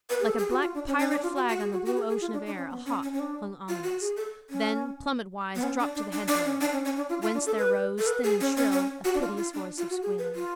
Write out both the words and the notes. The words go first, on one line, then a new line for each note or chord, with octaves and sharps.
Like a black pirate flag on the blue ocean of air, a hawk hung ominous; then, plummet-wise, dropped to the hedgerow, whence there rose, thin and shrill, a piteous voice of squealing.
B4
G#4
A4
G#4
F#4
F4
D4
C#4
C#4
D4
F4
F#4
F#4
G#4
F#4
F#4
G#4
G#4
F4
D4
D4
C#4
B3
C#4
C#4
C#4
D4
F4
F#4
G#4
A4
C#4
B3
C#4
D4
D4
D4
D4
C#4
D4
C#4
C#4
D4
F4
F4
D4
A4
B4
A4
B4
G#4
C#4
C#4
C#4
F#4
D4
F4
F4
D4
F4
F#4
G#4
B4
F4